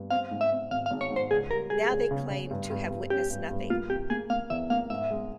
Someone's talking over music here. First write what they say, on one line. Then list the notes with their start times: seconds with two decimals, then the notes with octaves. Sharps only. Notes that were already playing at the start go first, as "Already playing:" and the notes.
Now they claim to have witnessed nothing.
Already playing: G2
0.11 C4 F5
0.31 G#2
0.41 E5
0.51 C4
0.71 G#1 F5
0.86 F5
0.91 G#1
1.01 C#5
1.11 G#2
1.16 C5
1.31 C#2 G#4
1.51 G3 A#4
1.70 G3 G#4
1.90 C#2
2.11 C#3
2.30 C#3
2.51 G2
2.70 G2
2.90 G2
3.10 C#4 G4
3.30 G2
3.51 G2
3.70 A#3 F4
3.90 C3 G4
4.10 A#3 G#4
4.30 A#3 F5
4.50 E2 E5
4.70 A#3 F5
4.90 G#2 E5
5.11 G#3